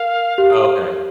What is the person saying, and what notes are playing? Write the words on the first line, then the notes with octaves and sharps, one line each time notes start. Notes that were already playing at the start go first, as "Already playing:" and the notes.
Oh, okay.
Already playing: A#4 F5
G4